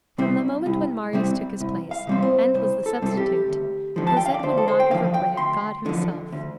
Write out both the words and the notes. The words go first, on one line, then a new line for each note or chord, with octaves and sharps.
From the moment when Marius took his place, and was the substitute, Cosette would not have regretted God himself.
C3 G3 C4
C2
C3 G3 C4
C2
F5
C3 G3 C4
C5
C2 C5
A4
C3 G3 C4 A4
G4
D2
D3 F3
A5
G5
F5
D5
D2 C5
A4
C5
G5
D3 F3 F5
G5
D2 C6
D3 F3
D2